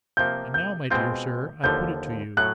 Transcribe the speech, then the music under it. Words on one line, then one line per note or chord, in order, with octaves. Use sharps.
And now, my dear Sir, I put it to you.
C3 F3 A#3 G6
G6
B2 G#3 C4 F4 G6
D#2 D3 F3 G6
A2 F#3 F#6